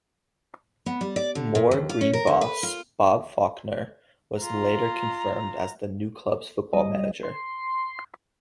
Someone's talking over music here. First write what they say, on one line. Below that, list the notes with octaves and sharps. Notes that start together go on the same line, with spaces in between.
Moor Green boss, Bob Faulkner, was later confirmed as the new club's football manager.
B3
G3
D5
D3
A#2
D#2
F4
C#4
A#4
D3
B4
F4
F4 A#5
G3 D#5
C6